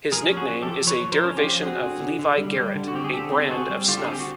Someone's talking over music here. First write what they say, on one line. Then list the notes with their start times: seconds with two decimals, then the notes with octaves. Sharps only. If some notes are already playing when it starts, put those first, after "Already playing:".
His nickname is a derivation of Levi Garrett, a brand of snuff.
0.12 F3 G#4 A#4
0.30 C#4
0.37 F#4 G#4
0.50 F3
0.62 G4 A4
0.68 F3
0.87 F3 B4 C#5
1.05 F3
1.12 A#4 C5
1.25 C#4
1.37 F4 G4
1.44 F3
1.62 C4 F#4 G#4
1.81 D3
2.00 D3
2.19 D3
2.38 G3
2.57 G3
2.75 D3
2.88 F#4
2.94 C4 G4
3.04 G#4
3.13 D3 G4 A4
3.32 C4
3.41 A4
3.50 C4 F#4 G#4
3.69 G3
3.88 D3 F4 G4
3.97 A4
4.04 G#4
4.07 C4 G4
4.19 F#4